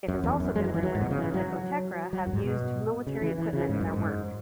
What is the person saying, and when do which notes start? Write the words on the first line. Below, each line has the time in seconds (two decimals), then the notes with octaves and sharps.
It has also been rumoured that Autechre have used military equipment in their work.
0.08 F#2
0.24 E2
0.40 F#2
0.56 G#3
0.64 F#3
0.74 E3
0.83 F#3
0.95 G#2
1.02 B2
1.11 C#3
1.18 E3
1.34 F#3
2.13 F#3
2.27 F#2
2.33 G#2
2.44 B2
3.07 C#3
3.22 E3
3.38 E3
3.53 C#3
3.69 G#2
3.81 F#2
3.93 G#2